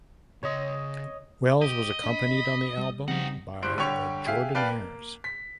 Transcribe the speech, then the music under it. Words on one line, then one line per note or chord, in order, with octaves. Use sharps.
Wells was accompanied on the album by the Jordanaires.
C#3 C#5 D#5 C6
G4 D#5
D4 B5
G3
C#3 G3 C4 D#4 G4 F#5
D1 G2 C5 F#6 D7
D3 G3 G4 C#5 C#6 F7
G4 G#4 E5 F5
B4 D5 F5 G5 A5
A#3
B6